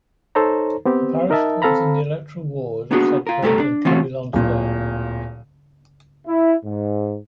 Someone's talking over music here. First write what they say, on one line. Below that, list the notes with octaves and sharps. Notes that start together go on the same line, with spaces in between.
The parish falls in the electoral ward of Sedbergh and Kirkby Lonsdale.
D#4 A4 C5 C#5 A#5
B3 C4 G4
D#4 A#4 D#5 E5 A5
C4 A4 F5 A#5 B5
A#3 B3 D4 F#4 G#4
F4 A#4
G2 G3 A3 G4 A4 A#4
D4
E3 A3 C4 C#4 F4 F#4
D1 A#2
E4
G#2